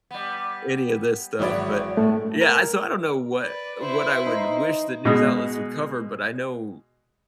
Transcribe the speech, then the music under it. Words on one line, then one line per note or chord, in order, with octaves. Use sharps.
any of this stuff, but yeah, I so I don't know what what I would wish that news outlets would cover, but I know
G3 B3
G#1 E2 F#3 E4 C#5 D5
A2 A3
A#4
B4 D5
E4 B4 C5
D#4
B2 G#3